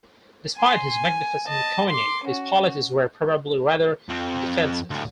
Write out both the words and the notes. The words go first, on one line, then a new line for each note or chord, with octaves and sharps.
Despite his magnificent coinage, his policies were probably rather defensive.
G#5 C6
G#5
D#5 A5
C6 D6
C#4 F#4
F2 C4
D2 A2